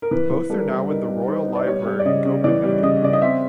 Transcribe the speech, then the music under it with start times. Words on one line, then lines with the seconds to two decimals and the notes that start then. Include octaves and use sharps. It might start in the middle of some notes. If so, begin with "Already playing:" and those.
Both are now in the Royal Library in Copenhagen.
0.02 A#4
0.11 E3 B4
0.30 E3
0.50 G3 A4
0.58 A#4
0.66 G3 A4
0.89 D#4 A#4
1.08 G3
1.28 D#4 C5
1.47 B3
1.55 D5
1.67 G3 C#5
1.86 G3
1.99 D5
2.05 C#3 D#5
2.25 C#3
2.44 E3 D5
2.64 G3
2.83 C#3 D#5
3.03 C#3 D5
3.13 D#5
3.22 C4 E5